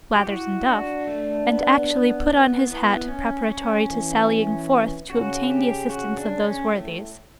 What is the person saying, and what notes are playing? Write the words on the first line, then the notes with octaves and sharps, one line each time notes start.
Blathers and Duff; and actually put on his hat preparatory to sallying forth to obtain the assistance of those worthies.
G4
E4 F#4
D4 F#4
A3
B3
B3
B3
B3 E4
C#4
C#4
E3
C#3 F#4
G4
F#4
D4
C#4
A2 A3